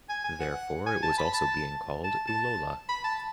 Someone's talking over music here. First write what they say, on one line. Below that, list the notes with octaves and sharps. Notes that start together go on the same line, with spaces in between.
Therefore, it was also being called "Ullola".
G#5
G#5
F#5
G#5
A5
B5
A5
A5
A5
B5
A5